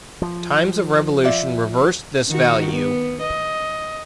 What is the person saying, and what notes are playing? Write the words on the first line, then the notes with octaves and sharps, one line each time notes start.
Times of revolution reversed this value.
F3
F4 D5 E5
D#3 F#4
B3
D#5